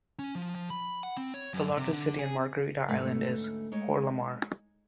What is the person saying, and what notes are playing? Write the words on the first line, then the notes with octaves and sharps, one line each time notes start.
The largest city on Margarita Island is Porlamar.
C#4
F3
F3
B5
F#5
C4
C#5
F#2
C3
D3
G#4
D2 G#2 A3 C#4 B4
G#3 D#4 C#5